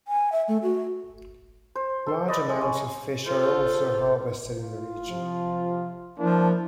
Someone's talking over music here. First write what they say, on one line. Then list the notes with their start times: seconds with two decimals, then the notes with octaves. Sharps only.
Large amounts of fish are also harvested in the region.
0.08 G#5
0.32 E5
0.48 A3
0.63 F#4
1.75 C5
2.06 A4 C6
2.28 B4 D5 D#5
2.49 G#3
2.61 C#4
3.25 F4 A4 C5
4.63 F4
5.09 C3 F3
6.19 F3 A#3 D4 E4